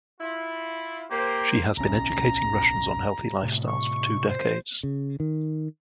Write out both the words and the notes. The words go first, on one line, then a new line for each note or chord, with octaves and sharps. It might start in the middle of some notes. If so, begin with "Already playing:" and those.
She has been educating Russians on healthy lifestyles for two decades.
E4 F4
A#3 G4 C5
D1 B1 C#4 A#5
A2 C3
C#6
C5
C#3
D#3